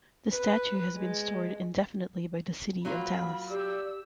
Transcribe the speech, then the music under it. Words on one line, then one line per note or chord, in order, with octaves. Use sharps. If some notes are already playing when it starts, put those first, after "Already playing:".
The statue has been stored indefinitely by the city of Dallas.
B4
G#3
F#3 A#3 F4 B5
G4 D5 E6